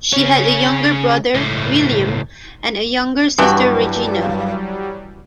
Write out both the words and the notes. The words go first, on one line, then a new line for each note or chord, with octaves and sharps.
She had a younger brother, William, and a younger sister, Regina.
C#3 C#4
C#2 A2
G2 E3 F#3 G3 F#4